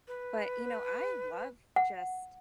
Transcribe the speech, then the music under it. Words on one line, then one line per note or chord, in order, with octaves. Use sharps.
But, you know, I love just
B4
F#5